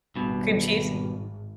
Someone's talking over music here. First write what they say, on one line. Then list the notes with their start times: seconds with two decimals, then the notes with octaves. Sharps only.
Cream cheese?
0.16 G#1 G2 B2